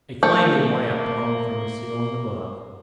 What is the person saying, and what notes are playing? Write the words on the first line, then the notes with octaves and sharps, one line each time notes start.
A flaming lamp hung from the ceiling above.
A3 A#3 C5 G6